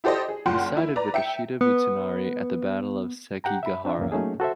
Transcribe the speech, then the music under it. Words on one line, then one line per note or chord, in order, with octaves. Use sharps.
He sided with Ishida Mitsunari at the Battle of Sekigahara.
E4 G4 A4 C5 D5 D#5
G#4
F#1 F4 F#5 G5 C6
E4
B4 D5 A#5
E5 G5 C#7
B3
G4 F#5 G5 A#5
E5 B5
C4 D4 F4 E5
C#2 F#2 F3 A#3 C#4
F#3 A3 A#3 C#4 D#4 G#4
F#4 A4 C5 E5